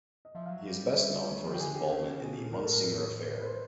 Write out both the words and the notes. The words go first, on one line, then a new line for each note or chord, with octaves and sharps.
He is best known for his involvement in the Munsinger Affair.
D#5
F3 E5
F5
F#3
G3
E5
D#5
C#5
F3
G4
D3 G#4
G4
C#3 A4
B2 G#4
A#2
A2 A#4
A4
A#4
C5
B4
C5